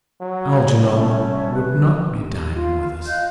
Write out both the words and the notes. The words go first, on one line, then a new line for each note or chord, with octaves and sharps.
Algernon would not be dining with us.
F#3
C2 C#5
A3 C#4
B4
G4
F4
D#5 F5 F#6 G6